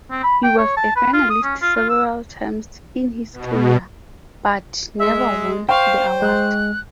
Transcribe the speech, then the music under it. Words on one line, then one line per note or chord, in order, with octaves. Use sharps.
He was a finalist several times in his career, but never won the award.
C4
B5
G5
C#5
A5
B4
F4
D#6
C#4
F4
F4
E6
B2
G#3 E5
C5 F5 G5 C#6
G#3 F#6